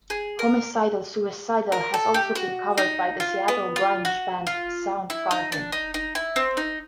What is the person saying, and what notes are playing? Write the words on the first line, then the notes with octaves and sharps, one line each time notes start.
"Homicidal Suicidal" has also been covered by the Seattle grunge band Soundgarden.
G#4
A#4
A#4
A4
G4
F#4
D#4
F4
B3
F4
F#4
F4
E4
D#4
D4
D#4
D#4
E4
C4
D#4